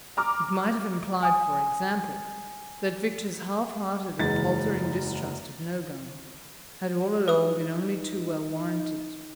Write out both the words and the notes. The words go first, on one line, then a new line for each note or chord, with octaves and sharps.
It might have implied, for example, that Victor's half-hearted and paltering distrust of Nogam had all along been only too well warranted.
A#5 D6 F6
G#5 D#6
F#1 E2 G#3 A6
D#4 B4 D#6